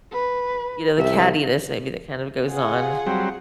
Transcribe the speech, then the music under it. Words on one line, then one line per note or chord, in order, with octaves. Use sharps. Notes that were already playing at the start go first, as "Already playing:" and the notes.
you know, the cattiness, maybe, that kind of goes on.
B4
C2 E5
F4 G#4 F#5
F#3 G3 C4